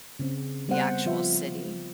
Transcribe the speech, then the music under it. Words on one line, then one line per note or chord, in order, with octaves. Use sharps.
the actual city
C#3 C4
G3 B3 C4 C5 F#5
F3 F4 E5